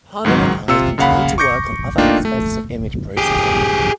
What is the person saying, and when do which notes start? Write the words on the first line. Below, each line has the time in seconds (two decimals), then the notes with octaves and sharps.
Parnham and Hyde continued to work on other aspects of image processing.
0.25 C#2 G#2 D#3 F#3
0.68 C3 F4 E6 C#7
0.98 F#2 C#3 A#3 F5 F#5 B5
1.38 C#6 D6 G6 A#6 C#7
1.98 A3 A#3 D4 D#4 F4 G5
2.25 A3
3.17 G4 G#4